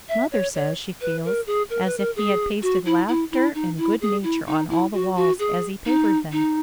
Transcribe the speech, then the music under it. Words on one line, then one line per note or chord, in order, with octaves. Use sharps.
Mother says she feels as if he had pasted laughter and good nature on all the walls as he papered them.
E5
C#5
C#5
B4
A#4
G#4
A#4
B4
A#4
G#4
F#4
E4
E4
E4
D#4
E4
G#4
E4
D#4
E4
F#4
F#4
G#4
D#4
D#4